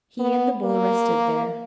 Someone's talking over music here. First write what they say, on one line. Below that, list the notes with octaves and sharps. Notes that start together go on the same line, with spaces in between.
He and the bull rested there.
B3
A#3